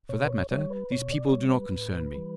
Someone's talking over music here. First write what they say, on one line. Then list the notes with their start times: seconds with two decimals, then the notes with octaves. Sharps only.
For that matter, these people do not concern me.
0.09 B2 C#5
0.25 B4
0.29 C#5
0.51 G3 C#5
0.70 B4
0.92 B2 C#5
1.12 D5
1.33 G3 C#5
1.49 C#5
1.53 B4
1.75 A2
2.16 E3 G3